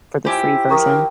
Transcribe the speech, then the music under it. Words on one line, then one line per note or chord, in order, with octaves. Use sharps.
for the free version.
E4 F4 G4 C5 G#5 A5
A#4 A#5 C#6 D#6